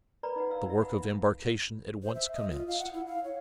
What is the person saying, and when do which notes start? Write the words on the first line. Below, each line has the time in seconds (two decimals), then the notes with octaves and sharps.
The work of embarkation at once commenced.
0.23 A#4 B4 D5 A#5 B5
0.36 D#4 B4 F#5
0.50 B4 F5 A#5 E6
0.66 D#4 E5
0.81 D#4 F#5 B5
2.03 C5
2.15 E5
2.34 D#5
2.51 F4
2.68 F5
2.79 F#5
2.94 E4
3.07 F5
3.24 C#5